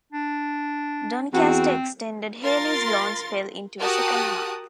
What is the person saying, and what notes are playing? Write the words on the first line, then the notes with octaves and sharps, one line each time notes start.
Doncaster extended Healy's loan spell into a second month.
D4
E2 C4 F#4
F4 A#4 C6 A6
F#4 G4 A#4 A5 D#6 F#6